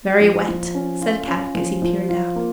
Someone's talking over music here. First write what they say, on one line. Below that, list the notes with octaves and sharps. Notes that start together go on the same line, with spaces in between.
"Very wet," said Kadok as he peered out.
F3
F3
C#4
F4
C#4
F3
F3
F4
A#3